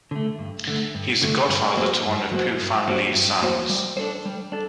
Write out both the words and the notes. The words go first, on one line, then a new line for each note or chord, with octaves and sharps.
He is the godfather to one of Pui Fan Lee's sons.
D3 A3
G2
D3 A3
G2
D3 A3
G2
F#3 A#3 F#4 C5
G2
F#3 A#3 F#4 C5
G2
F#3 A#3 F#4 C5
G2
F#3 A#3 F#4 C5
G3
D4 A4 C5
G3
D4 A4